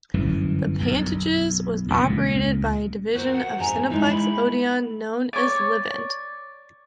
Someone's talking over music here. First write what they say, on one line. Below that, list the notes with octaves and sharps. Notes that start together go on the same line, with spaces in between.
The Pantages was operated by a division of Cineplex Odeon known as Livent.
G1 F#2 E3
B1 F#2
E2 A#2 C#3
C#2 A#2
F#4 A#4 C5
F#5
G#2 E5 G#5 A#5
G#3 D#4 E4
B5
C#5 D5